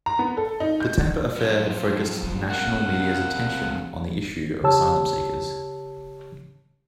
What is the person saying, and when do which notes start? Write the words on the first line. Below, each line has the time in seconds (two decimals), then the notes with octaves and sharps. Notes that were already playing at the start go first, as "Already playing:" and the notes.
The Tampa affair had focused national media's attention on the issue of asylum seekers.
0.06 A#5
0.19 B3
0.37 A4
0.60 D#4
0.80 G6
1.36 F#2 F3
2.50 C3 A#3 F#5
4.63 C#3 G4 C#5 A5 E6